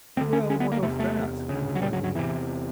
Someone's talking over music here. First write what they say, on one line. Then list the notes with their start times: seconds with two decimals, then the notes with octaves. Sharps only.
"Well, what of that?" replied the younger.
0.17 D2 C4
0.21 D3
0.33 C#4
0.50 C#4
0.60 B3
0.72 A#3
0.82 C3 A3
0.86 E2
0.99 A3
1.49 D2 C#3
1.75 F#3
1.82 G3
1.93 F#3
2.04 F#3
2.15 E2 C3 E3